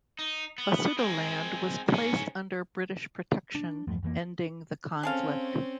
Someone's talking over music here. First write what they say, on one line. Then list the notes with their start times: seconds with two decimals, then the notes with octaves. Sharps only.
Basutoland was placed under British protection, ending the conflict.
0.19 D#4
0.58 B3
0.98 G#3 C4
1.89 G#2 C#4
3.55 D4
3.87 E2 G2 F3 A3
4.03 F2 E3 G#3 A#3
5.03 C4 C#4 G#4 A4 F5